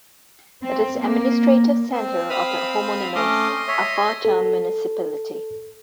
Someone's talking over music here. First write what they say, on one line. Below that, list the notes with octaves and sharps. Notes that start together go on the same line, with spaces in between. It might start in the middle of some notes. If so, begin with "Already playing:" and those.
It is the administrative centre of the homonymous Alfatar Municipality.
C4
A#3
C4
F5 B5 D#6
A3 C#4 D#5 C6 D6 D#6
C#5 E5
A4